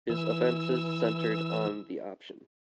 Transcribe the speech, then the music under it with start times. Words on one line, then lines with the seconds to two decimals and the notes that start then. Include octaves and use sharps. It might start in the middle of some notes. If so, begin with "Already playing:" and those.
His offenses centered on the option.
0.10 E3 E6